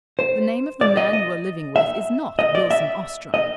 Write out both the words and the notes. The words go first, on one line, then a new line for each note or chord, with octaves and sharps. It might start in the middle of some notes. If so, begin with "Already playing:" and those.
The name of the man you are living with is not Wilson Ostrom.
C5
D5
D#5
D#5
E5
D#5
D5
E5
D#5